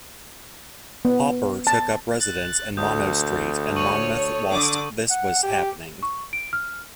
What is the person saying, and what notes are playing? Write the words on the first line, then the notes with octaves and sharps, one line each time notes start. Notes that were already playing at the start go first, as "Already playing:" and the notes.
Hopper took up residence in Monnow Street in Monmouth whilst this was happening.
B3
A5
F#6 A6
D2 A4 D#6 G6
C#5 C#6 D#7 F#7
D3 D6 D#6
F#5
G4
C#6
D7
F6